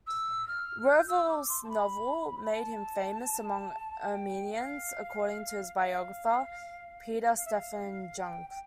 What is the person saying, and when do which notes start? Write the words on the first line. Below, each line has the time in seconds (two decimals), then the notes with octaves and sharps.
Werfel's novel made him famous among Armenians, according to his biographer, Peter Stephan Jungk.
0.07 E6
0.47 F6
0.88 G6
1.08 E6
1.29 D6
1.49 C6
1.64 A5
1.69 B5
2.44 B5
2.50 A5
4.13 G5
4.53 F5
5.75 F5
7.37 F5
7.45 E5
7.54 F5
8.18 G5
8.50 G5